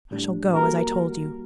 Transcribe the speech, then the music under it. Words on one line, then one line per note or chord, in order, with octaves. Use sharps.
I shall go, as I told you.
A2 G3 D4
G3 A#3 F#4 A4 A#4